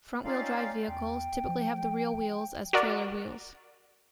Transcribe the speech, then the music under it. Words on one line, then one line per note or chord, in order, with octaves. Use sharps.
Front-wheel drive vehicles typically have the rear wheels as trailer wheels.
C4 C#4 D#4 F4 D5 F5
E2 G5
F3
F#4 A#4 D5